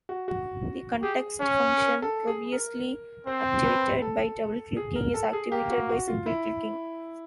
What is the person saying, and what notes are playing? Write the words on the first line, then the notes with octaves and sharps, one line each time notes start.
The context function, previously activated by double-clicking, is activated by single-clicking.
F#4
F#4
G4 G#4
C#4 C#5
A#4
A4
G#4
A#4
C4 C5
B4
A4
G#4
A#4
A4
G#4
A#3 G4
F#4
F#4
F4
E4